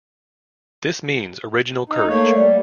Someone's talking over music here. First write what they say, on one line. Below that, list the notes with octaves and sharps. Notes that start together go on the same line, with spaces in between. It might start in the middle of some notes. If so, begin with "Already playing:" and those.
This means original courage.
D#4
A3 A#3 C#5
G3